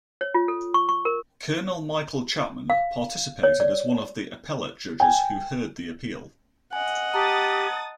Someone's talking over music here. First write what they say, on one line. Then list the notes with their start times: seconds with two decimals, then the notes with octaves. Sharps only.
Colonel Michael Chapman participated as one of the appellate judges who heard the appeal.
0.21 C#5
0.34 F4
0.48 A4
0.74 C#6
0.89 C#6
1.05 A#4
2.70 F5
3.43 C#5
3.60 D5
5.00 G5 G#5
6.73 D#5 F#5 G#5
7.14 G4 A5 A#5 D#6 A6